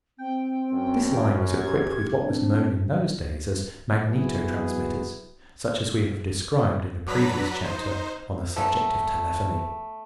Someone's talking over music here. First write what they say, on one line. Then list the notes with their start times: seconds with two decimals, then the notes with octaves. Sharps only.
This line was equipped with what was known in those days as magneto-transmitters, such as we have described in a previous chapter on the subject of telephony.
0.18 C4 G5
0.73 F#2
1.60 G4 G#6
2.21 C4 D4
4.08 F#3 B3 E4 F#4 G#4 B4
7.07 F#3 D4 B4 A#5 B5 B6
7.64 D#4 C5
8.56 A3 B3 C#4 D#4